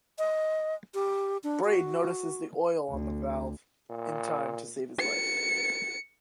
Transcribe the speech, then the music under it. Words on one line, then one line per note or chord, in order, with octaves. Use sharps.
Brade notices the oil on the valve in time to save his life.
D#5
G4
D4
F#4
D2
A#2
C#7